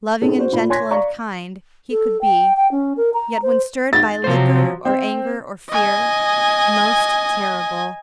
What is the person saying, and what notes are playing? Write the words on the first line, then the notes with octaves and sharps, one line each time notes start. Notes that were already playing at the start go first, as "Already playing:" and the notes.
Loving and gentle and kind he could be, yet when stirred by liquor, or anger, or fear,--most terrible.
C4 C#4 D#4 G#4 A4
F#4 C5
A#2 F4 B5
C#5 G#5 C6 G#6 A#6 B6
D5 F5 A#5 C#6
A4
G5
G5
C#4
A#4
A#5
C5
A6
C3 F3 F#3 C5
C4
D#5 G#5